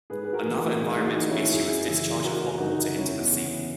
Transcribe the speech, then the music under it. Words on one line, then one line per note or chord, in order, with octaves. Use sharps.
Another environmental issue is discharge of hot water into the sea.
G#2 G#4 B4
B4
F#4 A#4
E3
F#4 A#4
G#2 E4 G#4
D#4 F#4
E3
C#4 E4
F#2 E4 G#4
C#3 E3 E4 G#4
F#2 F#4 A#4
C#3 E3 D#4 F#4
E2 C#4 E4
B3
C#3 E3
B3